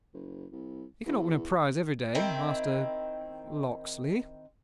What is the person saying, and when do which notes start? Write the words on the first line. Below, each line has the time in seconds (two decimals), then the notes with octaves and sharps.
"You cannot win a prize every day. Master--Locksley."
0.14 F#1
0.52 C2
1.06 E2
2.15 D#3 C4 E4